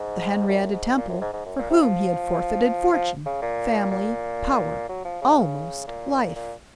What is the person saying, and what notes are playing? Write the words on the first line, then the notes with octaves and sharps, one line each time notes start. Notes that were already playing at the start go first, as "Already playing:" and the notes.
The Henrietta Temple for whom he had forfeited fortune, family, power, almost life!
Already playing: G#2
F#2
G#2
A#2
F#2
G#2
G#2
F#2
A#2
C3
F3
F3
C#3
A#2
A#2
F#3
F3
C#3
C#3
A#2
A#2